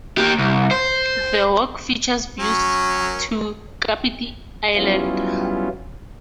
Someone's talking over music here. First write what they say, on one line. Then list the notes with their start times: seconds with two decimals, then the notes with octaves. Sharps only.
The walk features views to Kapiti Island.
0.18 A#3 G4
0.38 C2
0.71 C5
2.39 F#3 C#4
4.76 F#3 G3 B3 C#4 E4 F4